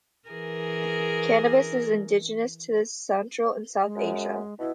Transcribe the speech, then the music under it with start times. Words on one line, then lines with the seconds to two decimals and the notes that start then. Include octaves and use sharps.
Cannabis is indigenous to Central and South Asia.
0.29 E3 G#4 A#4
3.84 G#3
3.96 F#2
4.59 B2 E4